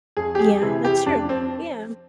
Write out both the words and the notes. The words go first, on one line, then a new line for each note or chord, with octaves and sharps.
Yeah, that's true, yeah.
F2 G#4
G4
G#4
C3 E3 G#4
G4
F2 D4
C4